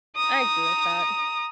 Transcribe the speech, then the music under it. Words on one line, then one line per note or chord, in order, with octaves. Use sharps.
I agree with that.
A#5 D#6